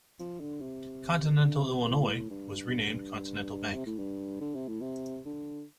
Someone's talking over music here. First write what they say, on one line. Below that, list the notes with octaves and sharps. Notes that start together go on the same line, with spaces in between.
Continental Illinois was renamed Continental Bank.
F3
D3
C3
D3
C3
C3
A2
G2
C3
A2
G2
D3
C3
A2
C3
D3